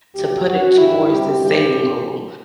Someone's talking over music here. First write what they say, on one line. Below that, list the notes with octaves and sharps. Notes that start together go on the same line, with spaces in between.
To put it towards the saving goal.
D2 D3 F#3 G4
F#2 F#3 F#4
G2 E3 G3 E4
D2 C3 G3 G4
G2 E3 G3 G4
G2 D3 F#3